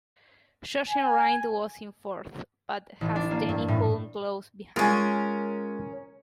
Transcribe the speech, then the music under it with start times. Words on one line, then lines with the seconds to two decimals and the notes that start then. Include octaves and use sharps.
Jochen Rindt was in fourth, but has Denny Hulme close behind.
0.89 G#5
3.01 A1
3.16 D4
3.31 A#3
3.49 G2
3.68 A2
4.76 G#3 C#4 F4 A#4